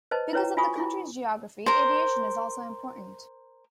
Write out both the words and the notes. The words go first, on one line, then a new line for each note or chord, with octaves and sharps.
Because of the country's geography, aviation is also important.
B4 C5 D#5 A5
E4 B4 C#5 G5 A#5
F4 F#4 G#5 B5 C#6 D#6
E4 F4 G#4
A#4 C5